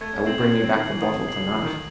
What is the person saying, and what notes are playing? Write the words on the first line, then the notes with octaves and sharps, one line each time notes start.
"I will bring you back the bottle to-night."
A3 G#6
C#4
C4 C7 F#7
C4
C#4 G#6
C4
D#3 C7 F#7
E3
D#3 D#6
C3
G#6 C7 F#7
C#3
E3 D#6
D#3